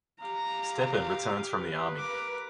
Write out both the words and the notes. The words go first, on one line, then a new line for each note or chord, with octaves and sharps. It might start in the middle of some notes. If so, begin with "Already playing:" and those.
Stepan returns from the army.
G4 F5 A#5
B4
A#4 D6